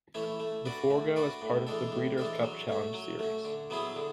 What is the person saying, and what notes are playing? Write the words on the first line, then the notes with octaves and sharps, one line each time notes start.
The Forego is part of the Breeders' Cup Challenge series.
E3 A3 C#4 E4
A3
D4 F#4 B4 D5
A3
D4 F#4 B4 D5
A2
E3 G#3 D4 A4
A2
E3 G#3 D4 A4
F#3
A3 C#4
F#3
A3 C#4
D3
F#3 B3 E4 G#4
D3